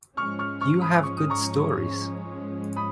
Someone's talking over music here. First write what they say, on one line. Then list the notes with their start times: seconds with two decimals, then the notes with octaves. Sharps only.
You have good stories.
0.17 G#2 F3 G#3 C#4 C#6 F6
0.39 C#6 F6
0.61 C#6 F6
0.82 B5 D#6
1.03 C#6
1.17 D#6
1.30 A#5 C#6
2.76 B5 D#6